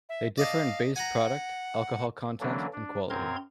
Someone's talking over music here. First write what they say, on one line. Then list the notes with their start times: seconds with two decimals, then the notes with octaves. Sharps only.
They differ in base product, alcoholic content, and quality.
0.09 E5
0.38 D5 D#5 F5 A5
0.96 F#5 G#5 A#5
2.41 D3 E3 F#3 A#3 C#4 D4
2.73 D4
3.10 F#2 C4 A#4 A#5 C6 G#6